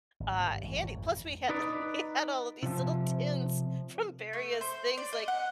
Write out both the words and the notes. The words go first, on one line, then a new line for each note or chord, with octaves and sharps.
uh, handy, plus we had we had all of these little tins from various things, like,
G#1
G2
A1
G#1
F2
D#4 B4 D5
C3 F3
A3
C5
D5
D#5
F#5